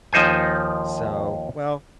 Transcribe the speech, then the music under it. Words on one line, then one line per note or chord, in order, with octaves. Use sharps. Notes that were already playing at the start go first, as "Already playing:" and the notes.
so, well,
D#2 F3 D#4 C5 G#5